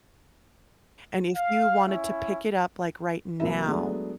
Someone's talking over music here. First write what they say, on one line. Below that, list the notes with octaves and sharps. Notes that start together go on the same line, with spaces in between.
and if you wanted to pick it up, like, right now
F5
C#4 E4
C2 F#3 A#3 E4 E5
F#3 G#3 A3 B3 D4